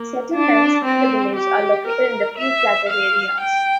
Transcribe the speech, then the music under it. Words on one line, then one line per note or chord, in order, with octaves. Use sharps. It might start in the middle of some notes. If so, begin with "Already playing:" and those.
Settlements in the village are located in the few flatter areas.
Already playing: A#3
D4
C4
G4
A#4
E5
F5
G5